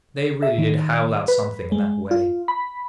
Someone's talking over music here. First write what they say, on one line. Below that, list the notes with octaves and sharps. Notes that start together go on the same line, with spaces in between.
They really did howl out something in that way.
E5
D#3
B4
G#3
F4
B5